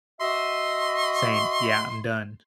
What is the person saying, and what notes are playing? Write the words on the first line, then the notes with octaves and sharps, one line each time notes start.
saying, "Yeah, I'm done."
F#4 D#5 E5 C6